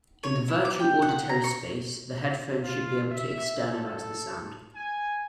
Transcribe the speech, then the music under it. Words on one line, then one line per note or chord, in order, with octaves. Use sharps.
In the virtual auditory space, the headphones should be able to "externalize" the sound.
C#5
E4
D6
G5
F#5
A#5
C#6
F4
E5
A4
G#5